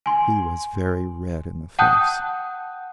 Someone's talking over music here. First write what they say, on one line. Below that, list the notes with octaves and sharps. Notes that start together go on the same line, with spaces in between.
He was very red in the face.
G#5 C6
F#5 G5 A5 D#6 F#6 G6